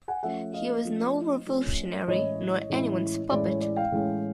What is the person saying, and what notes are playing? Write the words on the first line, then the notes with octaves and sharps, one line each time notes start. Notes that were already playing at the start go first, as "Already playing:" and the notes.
He was no revolutionary nor anyone's puppet.
F#5 G#5
F3 A3 C#4 E5 F#5
D#5 F5
F3 A3 C#4
F3 A3 C#4
A2 E3 G#3 C#4 E4 C#5 D#5
A2 E3 G#3 C#4 E4
A2 E3 G#3 C#4 E4 D5
C#5
D5
F5 G5
A2 E3 G#3 C#4 E4